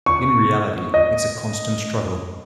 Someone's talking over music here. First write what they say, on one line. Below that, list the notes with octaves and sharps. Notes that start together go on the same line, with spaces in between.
In reality, it's a constant struggle.
C#6
D#5